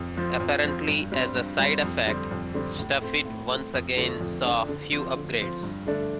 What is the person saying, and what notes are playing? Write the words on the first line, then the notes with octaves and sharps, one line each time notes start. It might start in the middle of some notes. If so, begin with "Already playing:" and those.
Apparently as a side-effect, StuffIt once again saw few upgrades.
Already playing: F2
F3 C4
F2
F3 C4
G2
G3 C4
G2
G3 C4
F2
D3 G3 C4
F2
D3 G3 C4
A2
A3 C4
A2
A3 C4
F2
D3 F3 A3 D4
F2
D3 F3 A3 D4
D3
F3 C4
D3
F3 C4
G2
D3 A3 D4